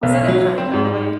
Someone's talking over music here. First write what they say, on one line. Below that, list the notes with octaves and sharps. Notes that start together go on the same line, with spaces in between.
was that a pun, by the way?
B1
F#3
C4
G#2